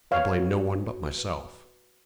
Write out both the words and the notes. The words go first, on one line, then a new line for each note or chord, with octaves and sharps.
I blame no one but myself.
B4 C#5 F5
F#4
B4
F#4
B4